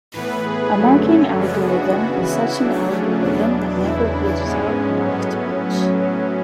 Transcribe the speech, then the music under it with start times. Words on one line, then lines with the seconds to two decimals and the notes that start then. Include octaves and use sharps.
A marking algorithm is such an algorithm that never pages out a marked page.
0.13 A2 E3 B3 B4
0.44 G#4
0.75 F#2 D3 F#3 A3
1.05 C#4
1.36 C#3 E3 G#3 B3 D4
1.67 F#4
1.97 C#3 E3 B3 F#4
2.28 E4
2.58 C#3 F#3 A3 D4
2.90 C#4
3.20 E2 B2 F#3 B3 D4
3.82 E2 C#3 E3 E4
4.12 D4
4.44 G#2 G#3 B3 C#4
5.05 A2 F#3 B3
5.66 A2 F#3 B3